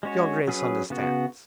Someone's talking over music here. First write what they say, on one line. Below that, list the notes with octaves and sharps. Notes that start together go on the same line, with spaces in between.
"Your Grace understands."
G#3 C#4 F#4 C#5
F#3 C#4 G#4 B4
C#3 B3 F#4